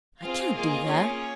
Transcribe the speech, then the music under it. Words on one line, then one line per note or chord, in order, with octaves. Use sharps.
"I can't do that."
C4 F4 G#4 F5
A#3 F4 G#4 D#5
A#3 C#4 F4 G#4 C#5